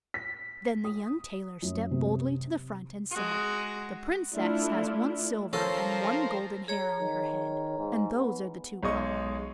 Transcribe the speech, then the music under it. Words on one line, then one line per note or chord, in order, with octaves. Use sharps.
Then the young tailor stepped boldly to the front and said, 'The Princess has one silver and one golden hair on her head, and those are the two colours.'
B6
D#6
F#2
C3
G#3 F#4
A3 D4 E4 F4
F3 C#4 A4 A#4 C5
G#4 C#5 A#5
D#3
G#2
B3
B1 G#3 D#5 C#6